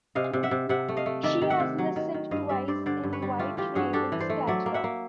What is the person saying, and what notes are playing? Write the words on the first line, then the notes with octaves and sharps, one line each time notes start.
She has listed twice in White Ravens catalogue.
C3 D#5 F5
C3
E5 F#5
C3
C3 E5 F#5
A3
D#5 F5
A3
D#3 D5 E5
D#3
E5 F#5
C3
F#3
D#3
D#3
G2 D#5 F5
G3 D5 E5
G2 C5 D5
D3 C5 D5
G2
B4 C#5
G3
A3 F4 G4
E3 F4 G4
G2 F#4 G#4
D4 G4 A4
E3
C5 D5
A3
F#3 D5 E5
A#3
E5 F#5
A#3